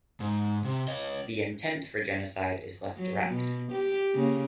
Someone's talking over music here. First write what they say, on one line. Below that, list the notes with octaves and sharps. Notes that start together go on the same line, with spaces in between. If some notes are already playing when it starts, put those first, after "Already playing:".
The intent for genocide is less direct.
G#2
C3
C#5 D#5
F#3
B2
G4
C#3 A#3